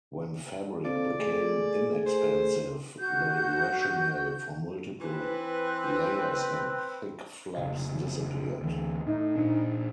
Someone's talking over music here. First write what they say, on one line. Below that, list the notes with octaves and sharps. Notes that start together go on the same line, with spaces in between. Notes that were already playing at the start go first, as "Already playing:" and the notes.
When fabric became inexpensive, the rationale for multiple layers and thick flaps disappeared.
C4 F4 A4 D5
A3 G#4
C5
F#4 G6
E3 C4 B4
F1 C#3
D2 E3
A2 D#4
A#2 D4